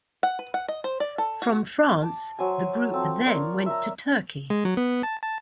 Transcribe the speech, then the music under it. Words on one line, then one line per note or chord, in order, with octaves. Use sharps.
From France, the group then went to Turkey.
F#5
B4
F#5
D#5
C5
D5
A4
F#4
A5 D6
F#3 C5 G#5
F3 C4 A4
F4 A#4 C#5 D5
E5 A#5
G#3
F#3
B3
A5
A5